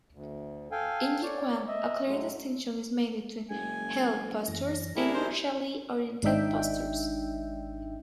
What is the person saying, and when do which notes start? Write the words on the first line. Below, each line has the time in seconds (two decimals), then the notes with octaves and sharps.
In Yiquan, a clear distinction is made between "health" postures and "martially oriented" postures.
0.13 D2
0.72 A4 F5 G5 G#5
1.23 C#5 D5
1.67 D#5 E5
2.06 A2 F#3 G#3 A3
3.51 F#1 G#3 G#5
4.48 F#2 E3 A#6
4.96 A2 D4 E4 G4 G#4 A#4
5.15 B1 C5
6.23 G#1 G#2 D4 D#4 E5 G5